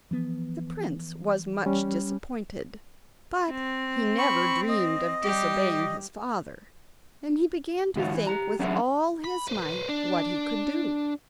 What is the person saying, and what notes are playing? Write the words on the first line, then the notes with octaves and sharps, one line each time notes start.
The prince was much disappointed, but he never dreamed of disobeying his father, and he began to think with all his might what he could do.
E3 F3 B3
G3 C#4
C4
B5 C#6
D#5
G3 G4
G#2 D3 E3 F4 F#4
E3
G4 A#5
F#3 C#4 D4 E4 G#4 F#5
B5
B4 C5
D4